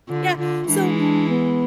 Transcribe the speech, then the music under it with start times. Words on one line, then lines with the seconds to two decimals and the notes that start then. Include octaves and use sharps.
Yeah. So
0.08 D3 F4
0.38 D3 F4
0.68 E3 G#3 D4
0.95 E4
0.99 D4
1.29 B3